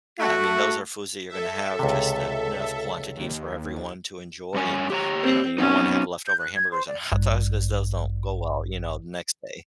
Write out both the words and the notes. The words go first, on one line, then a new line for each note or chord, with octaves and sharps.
yeah, I mean, those are foods that you're gonna have just enough quantity for everyone to enjoy and, you know, you don't wanna have leftover hamburgers and hot dogs because those don't go well, you know, the next day.
A3 F#4
A4 E5
C#2 C3
D#2
G2 C#4 G#5
G4 C#5 A#5
C4
F#3 B3 C#4 D#4
G6
F#6
G#6
C5
D5
A1 G2